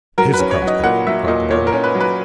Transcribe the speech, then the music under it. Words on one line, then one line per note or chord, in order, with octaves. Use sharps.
"Here's the cross cut," cried the miner.
F#3 A#4
B4
C#4
C#5
F#3
D#5
A#2 F#5
F#3 E5
A#2 D#5
A#2 C#5
A#4
C#4
B4
F#3
B4